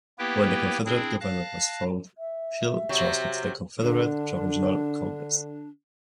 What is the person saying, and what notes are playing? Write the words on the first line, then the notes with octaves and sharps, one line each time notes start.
When the Confederate government was formed, Hill transferred to the Confederate Provisional Congress.
A#3 B3 E4 G4 B4 G5
C4 D4 E4 G#4
F5 A5 F#6 A#6
E5
C3 F#3
D3 D4